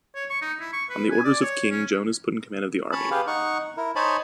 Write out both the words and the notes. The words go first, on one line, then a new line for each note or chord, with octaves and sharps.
On the orders of king, Joan is put in command of the army.
C#5
C#6
D#4
E4
C#6
B4
G#5
D5
C#5
C#4
C#4 C#5 A5 B5
G4 G#4 B4 F5
D#4 F#5 C#6
E4 A#4
D#4 C5 C#5 G#5 A5 B5